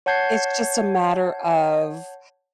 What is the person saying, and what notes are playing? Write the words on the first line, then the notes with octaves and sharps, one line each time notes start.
it's just a matter of,
C#5 F#5 A5 G6 G#6 C7